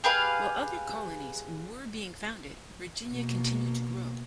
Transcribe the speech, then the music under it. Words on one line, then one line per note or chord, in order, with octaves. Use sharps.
While other colonies were being founded, Virginia continued to grow.
G4 G#4 B4 F5
B2 A#3